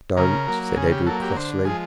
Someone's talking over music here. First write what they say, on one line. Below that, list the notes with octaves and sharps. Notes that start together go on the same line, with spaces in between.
"Don't!" said Edred crossly.
C#3 A#4
F#3 A#3
C#3 G#4
G4
F#3 A#3 A4
G4
D3 C5
F3 G#3 G#4